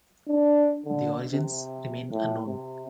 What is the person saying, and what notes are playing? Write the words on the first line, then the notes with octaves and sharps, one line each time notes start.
The origins remain unknown.
D4
D3
C3
A2
C3